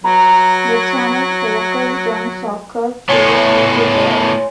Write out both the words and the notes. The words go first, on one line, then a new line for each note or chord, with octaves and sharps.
The channel focused on soccer throughout the world.
F#3 B4 A#5
A2 B3 C#5 G#5 C6